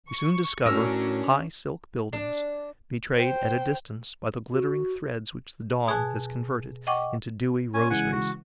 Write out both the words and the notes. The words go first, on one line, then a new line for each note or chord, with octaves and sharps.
We soon discover high silk buildings, betrayed at a distance by the glittering threads which the dawn has converted into dewy rosaries.
C#6
A2 C#4 D4 F#4 A#4 E6
D4
C5 G5
F#4
B2 G#4 G#5 A5 F#6
D#5 F#5 G5 C#6 D6
C#4 G#5
C#3 E3 G#3 F#5 G#5
F#4